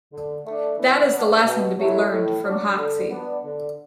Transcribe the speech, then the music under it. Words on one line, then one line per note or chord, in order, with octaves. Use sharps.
That is the lesson to be learned from Hoxie.
D3
A3 D4
E3
B3 D4
B2
F#3 A3 E4
A2
F#3 D4
D3
B3 D4
D3